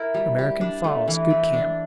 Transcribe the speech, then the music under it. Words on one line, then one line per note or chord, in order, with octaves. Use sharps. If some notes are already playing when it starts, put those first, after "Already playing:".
American Falls.--Good camp.
Already playing: E4 A#4
G3
G4
D4
A3
E3
C4
D4